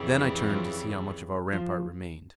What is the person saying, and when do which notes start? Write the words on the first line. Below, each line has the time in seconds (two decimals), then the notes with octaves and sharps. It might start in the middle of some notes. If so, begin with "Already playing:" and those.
Then I turned to see how much of our rampart remained.
Already playing: F2 C#3 E3 G3
0.49 F3 F4
1.52 F3 F4